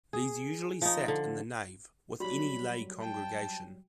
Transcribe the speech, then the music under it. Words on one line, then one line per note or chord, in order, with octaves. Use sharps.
These usually sat in the nave, with any lay congregation.
G#4
F3 D#4
D3
F#3 G3 F#4 B5
G5 A5